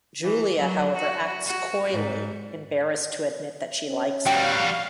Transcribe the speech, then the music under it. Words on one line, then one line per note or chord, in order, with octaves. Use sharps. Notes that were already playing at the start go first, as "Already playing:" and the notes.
Julia, however, acts coyly, embarrassed to admit that she likes him.
E3
F#3
F#4
F#4
G#2
C#4
G3 F#4 F5 G5